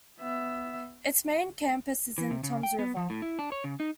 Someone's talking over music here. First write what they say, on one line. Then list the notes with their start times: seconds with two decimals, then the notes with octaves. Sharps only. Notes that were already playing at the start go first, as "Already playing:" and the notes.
Its main campus is in Toms River.
0.20 B3 E5
2.18 E3
2.31 C3
2.43 C#3
2.63 G5
2.79 B3
2.97 F3
3.10 A2
3.22 E4
3.39 D4
3.52 C#5
3.64 C#3
3.80 D#4